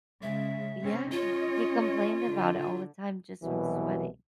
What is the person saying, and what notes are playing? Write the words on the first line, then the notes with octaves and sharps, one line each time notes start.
Yeah. He complained about it all the time just from sweating.
C#3 G#3 E5
C3 C4 C#4
C#4 F4 C#5 D#5
D3
C2 B2 E3 F#3